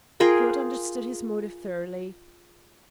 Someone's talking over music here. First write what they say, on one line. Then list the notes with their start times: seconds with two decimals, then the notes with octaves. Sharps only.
Claude understood his motive thoroughly.
0.20 F4 G#4 A#4 G5